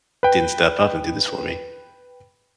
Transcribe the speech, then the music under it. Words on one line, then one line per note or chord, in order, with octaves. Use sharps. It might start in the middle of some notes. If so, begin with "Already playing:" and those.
didn't step up and do this for me.
B4 G5